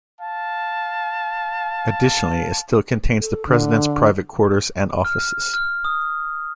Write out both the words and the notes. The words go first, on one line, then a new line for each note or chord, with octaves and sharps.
Additionally, it still contains the president's private quarters and offices.
F5 A5
A4
D3
F6
F6
D#6